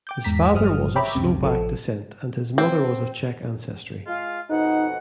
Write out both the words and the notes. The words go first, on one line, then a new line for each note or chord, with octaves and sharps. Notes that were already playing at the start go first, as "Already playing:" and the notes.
His father was of Slovak descent and his mother was of Czech ancestry.
G5 D6 G6
E2 G#2 A#5 B6
G1 F3 G3 D#6 F6
C#5 E5 G5 A#5 B5 D6
C#2 F#2 C3
A1 F3 A4
C4
G#3 F4
F2 B2 D#4 F#5